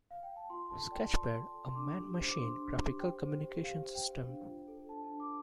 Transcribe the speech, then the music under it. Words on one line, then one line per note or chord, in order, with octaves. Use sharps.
"Sketchpad: A Man-Machine Graphical Communication System".
F5
G5
A5
F4 C6
C6
A4 A5
D5 G5
A5
F4 C6
F4
A4
C6
D4 D6
G4
C5
D6
D4 C6
D4
G4
C5 G5
C5
G4
G4 F5
C5
G5
C5
D4
F4
A4
D4 A5
A5
D4
D6